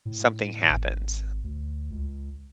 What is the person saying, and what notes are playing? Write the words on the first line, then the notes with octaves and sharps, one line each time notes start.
something happens,
A2
G#1
D2
C#2